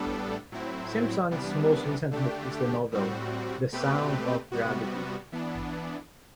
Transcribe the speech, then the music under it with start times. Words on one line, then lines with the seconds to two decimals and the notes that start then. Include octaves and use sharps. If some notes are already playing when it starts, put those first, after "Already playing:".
Simpson's most recent book is the novel "The Sound of Gravity".
Already playing: A2 G3 B3 D4 A4
0.52 A2 F#3 C4 E4
1.31 C3 E3 G3 B3 D4
2.11 D3 A3 D4 G4
2.92 A2 G3 C4 F#4
3.72 B2 A3 C4 G4 B4
4.52 C3 G3 B3 F#4
5.32 E3 B3 D4